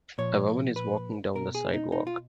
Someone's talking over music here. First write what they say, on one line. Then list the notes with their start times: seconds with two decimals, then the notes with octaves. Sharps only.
A woman is walking down the sidewalk.
0.18 A#2 F3 C#5
0.76 B4
1.35 B2 A#4
1.55 G#4
1.74 D#4
1.92 D#4
2.07 F4